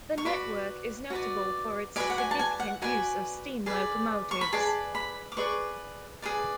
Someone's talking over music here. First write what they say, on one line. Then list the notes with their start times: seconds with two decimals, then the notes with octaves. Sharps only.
The network is notable for its significant use of steam locomotives.
0.18 C#6
0.25 F#4 B4 D5 B5
1.10 F#4 B4 D5
1.96 F#4 B4 D5 G#5
2.10 F#5
2.18 G#5
2.31 A5
2.39 G#5
2.60 F#5
2.82 F#4 B4 D5 G#5
3.66 G#4 B4 D5
4.31 C#6
4.41 B5
4.53 G#4 B4 D5 A5
4.95 B5
5.32 D6
5.37 G#4 B4 D5 C#6
6.22 G#4 B4 D5